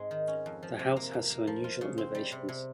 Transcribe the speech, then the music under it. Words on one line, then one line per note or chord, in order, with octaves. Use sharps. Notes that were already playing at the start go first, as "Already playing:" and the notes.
The house has some unusual innovations.
Already playing: G#2 G#3 C4
D#3
C#4
F2
F3
C3
A#3
F2
A#3
F3
F4
C#3
C4
G3
C3
C3